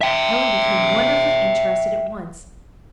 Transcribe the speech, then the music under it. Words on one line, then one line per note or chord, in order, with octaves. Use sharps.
Helen became wonderfully interested at once.
E5 G5